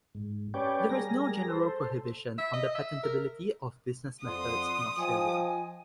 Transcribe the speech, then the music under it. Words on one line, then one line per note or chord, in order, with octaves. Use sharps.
There is no general prohibition on the patentability of business methods in Australia.
G#2
C#4 G4 B4 C#5 D5 G5
G3 G#4 A#4 A#6
A4 C5
E5
D#5
E5
A#4
F2 D5 F#5 C6 D#6
F3 D#5 G5 G#5